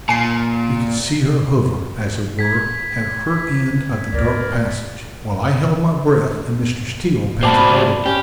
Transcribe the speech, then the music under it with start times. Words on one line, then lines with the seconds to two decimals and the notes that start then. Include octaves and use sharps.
We could see her hover, as it were, at her end of the dark passage, while I held my breath and Mr. Steele panted audibly.
0.09 A#2 G#5 C7
2.39 G#6 B6
4.13 D2 G#2 A#4 D5
7.43 G#2 F#4 C5 D5 A5 B5
8.06 C#4 G4